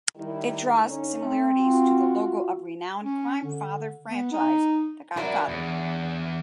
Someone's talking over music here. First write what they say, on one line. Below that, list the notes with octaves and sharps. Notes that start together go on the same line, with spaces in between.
It draws similarities to the logo of renowned crime film franchise "The Godfather".
D#3 G3 E4
D3 C#4 D#4
C4
F4 F#4
C#4
D3
B3
D#4
D4 E4 F#4 A#4 C#5
E2